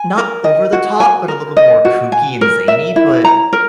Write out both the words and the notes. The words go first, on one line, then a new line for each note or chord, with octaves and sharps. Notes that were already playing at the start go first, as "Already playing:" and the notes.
not over the top- but a little more kooky and zany, but
Already playing: G#5
A#4
D#5
F#4
G#5
A#4
D#5
F#4
G#5
A#4
E5
E4
A#5
A#4